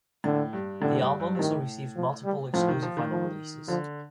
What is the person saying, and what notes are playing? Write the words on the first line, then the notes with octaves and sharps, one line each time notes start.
The album also received multiple exclusive vinyl releases.
A2 D3
G2
A2 D3
G2
G2
G2
A2 D#3
F3
G3
A2 F3
D#3
F3
D#3
F3
D3 F3